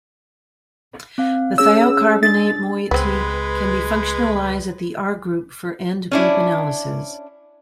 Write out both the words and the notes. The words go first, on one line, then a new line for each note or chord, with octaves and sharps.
The thiocarbonate moiety can be functionalized at the R-group for end group analysis.
C4 F5
C#4 G#4 C#5 E6
D4 A6
C#2 G#3 B3 C4 B4
C#4 D4 E4